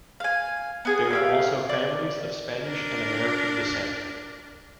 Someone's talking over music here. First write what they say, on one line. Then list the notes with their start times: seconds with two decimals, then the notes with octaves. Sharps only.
There are also families of Spanish and American descent.
0.20 F5 G#5
0.85 B3 G#4 G#5
1.11 A3 G4 F5
1.69 D5
2.61 D4 A#4